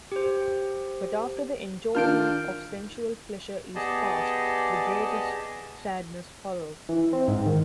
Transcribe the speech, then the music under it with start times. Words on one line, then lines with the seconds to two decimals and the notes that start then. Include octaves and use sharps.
But after the enjoyment of sensual pleasure is past, the greatest sadness follows.
0.12 G4 C5
1.95 D#3 D4 F4 F6 G6 D7
3.75 B3 G4 G#4 D5 D#5 A5
6.89 E3
7.13 C4
7.28 G#2
7.46 D#3